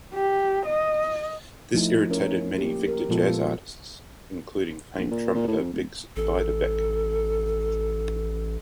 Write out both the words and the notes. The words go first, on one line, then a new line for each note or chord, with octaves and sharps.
This irritated many Victor jazz artists, including famed trumpeter Bix Beiderbecke.
G4
D#5
F3 A3 D#4 E4
C#4 A#4
A#3 G4
G4 A#4
A#2 F3 G#3 B3 F4 A4
A#1
A#2
A#2
A2
F2
D1
A1 A4